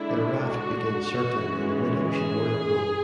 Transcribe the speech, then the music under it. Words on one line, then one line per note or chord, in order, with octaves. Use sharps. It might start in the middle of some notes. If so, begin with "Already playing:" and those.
Their raft begins circling in a mid-ocean whirlpool.
Already playing: D3 G#3 D4 E4
F#4
E3 G#3 C#4
G#4